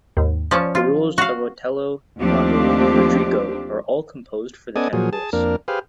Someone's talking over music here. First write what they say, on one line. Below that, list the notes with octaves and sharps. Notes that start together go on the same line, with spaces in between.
The roles of Otello, Iago, and Rodrigo are all composed for the tenor voice.
D#2 G#2
F3 C#4 D5
F4
F#4 F5
D#2 F3 A3 C4 D4 G4
B3 C#4 A4 D5 D#5 G#5
A#2 F3 F#3 G#4
G#4 A5
F2 A#3 D4 A#4
G4 G#4 B4 C5 F5